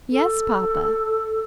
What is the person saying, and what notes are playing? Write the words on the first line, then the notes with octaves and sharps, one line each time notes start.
"Yes, papa."
A4